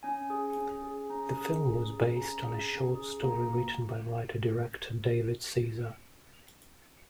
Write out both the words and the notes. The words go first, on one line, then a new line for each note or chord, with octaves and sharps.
The film was based on a short story written by writer-director David Caesar.
C#4 G#5
G#4
C#4
G#4
C#4 A#5
G#4
C#4
G#4
C#4 A#5
G#4
C#4
G#4
A#3 A#5